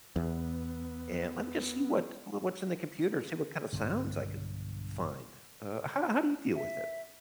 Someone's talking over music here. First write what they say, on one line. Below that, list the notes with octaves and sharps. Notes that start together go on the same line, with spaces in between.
and let me just see what wha what's in the computer, see what kinda sounds I can find." Uh, how how do you deal with it?
E2 B3
B1 G2 D3 B3
E5